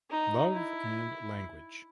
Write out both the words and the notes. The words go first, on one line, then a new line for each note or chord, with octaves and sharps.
Love and language.
D#4
E4